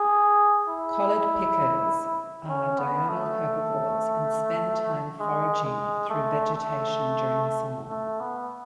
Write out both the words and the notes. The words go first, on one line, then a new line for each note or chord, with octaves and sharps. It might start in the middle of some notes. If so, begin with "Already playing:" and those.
Collared pikas are diurnal herbivores and spend time foraging through vegetation during the summer.
Already playing: G#4
E4
C#4
B3
A3
G#3
G#3
A3
A3
A3
B3